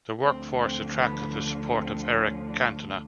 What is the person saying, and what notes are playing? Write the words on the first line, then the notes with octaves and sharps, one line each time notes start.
The workforce attracted the support of Eric Cantona.
D2 D3 F3 C4
C4
B3
C4
C#4
D4